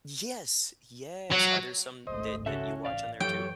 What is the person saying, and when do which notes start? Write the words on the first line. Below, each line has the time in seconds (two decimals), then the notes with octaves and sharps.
Yes! Yes. Are there some that that you watch on there too?
1.31 F#3
2.07 G#1 C#2 A3 C5 D#5
2.46 C#3 C#4 F#4 A4 E5
2.85 A1 D5 F5
3.20 F#2 E3 F#3 G4 A4 C#5 G5